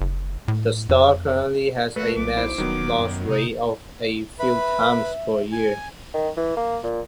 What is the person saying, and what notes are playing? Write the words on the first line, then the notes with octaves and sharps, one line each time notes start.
The star currently has a mass loss rate of a few times per year.
F#1
A2
F2
A3 F#4 A4 B4
B1 D6
E4 C5
D#1 D#3 F#3 B3
F#2
C3 D#4
B4 E5 B5
G#5
D#3
E3
A#3
A#2